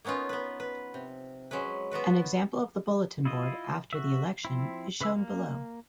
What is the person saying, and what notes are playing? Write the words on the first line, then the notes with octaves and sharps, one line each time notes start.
An example of the bulletin board after the election is shown below.
A#3 B3 C#4 D#4 F4
B3 B4
B4
C3
F#3 G#3 C#4 B4
B3 F4 F#4 B4
E4 F4 D#5
F#4 E5
F3 C4 E4
C#3 B4 E5 E6
A#3